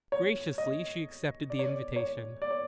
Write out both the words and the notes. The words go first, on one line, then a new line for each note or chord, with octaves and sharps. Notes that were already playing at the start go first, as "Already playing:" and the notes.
Graciously she accepted the invitation.
C#5
D#5
D5
C#5
D5
C#5
D5
C#5